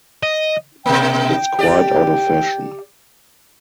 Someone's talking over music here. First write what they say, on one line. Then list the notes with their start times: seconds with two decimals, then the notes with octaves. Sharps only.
It's quite out of fashion.
0.23 D#5
0.86 B2 A#3 G5
1.59 G4 D5